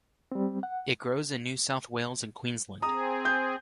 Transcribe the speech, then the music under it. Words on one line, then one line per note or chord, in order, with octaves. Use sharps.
It grows in New South Wales and Queensland.
G3 C4
F#5
C4 G#4 A#5 D#6
G6